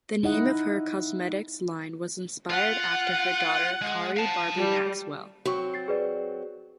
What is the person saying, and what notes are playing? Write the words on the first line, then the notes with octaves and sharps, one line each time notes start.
The name of her cosmetics line was inspired after her daughter Khari Barbie Maxwell.
D#4 E4 D#5 F#5
F4 F#5
G#3
F5 A5
G3
F#3 C4 F#4 C#6
A6 C7
G#4 B4 D5